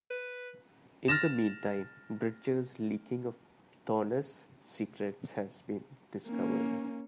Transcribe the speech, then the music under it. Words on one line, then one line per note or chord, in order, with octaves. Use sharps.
In the meantime, Bridger's leaking of Thorness' secrets has been discovered.
B4
F6 A6 A#6 E7
A#3 C#4